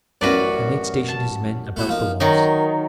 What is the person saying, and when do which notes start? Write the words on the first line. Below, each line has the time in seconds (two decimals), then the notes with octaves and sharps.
The knight stationed his men about the walls.
0.21 A1 F#2 C#4 F#4 B4 D5
1.09 A5
1.76 A3 E4 F#4
1.89 F3 A#3 D#4
2.20 D#3 F#3 D#4 C#5